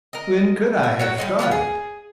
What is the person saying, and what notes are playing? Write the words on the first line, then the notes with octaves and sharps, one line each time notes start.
When COULD I have started!
A#4 D#5
E5
F#3 F#4 C#5
G3 G#3 D#4
B3 D4 F4 F#5
G#4